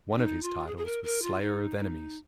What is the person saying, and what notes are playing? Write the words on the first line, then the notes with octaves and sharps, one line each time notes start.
One of his titles was "Slayer of Enemies".
C4
D#4
F4
G#4
G#4
A#4
A#4
F4
D#4
D#4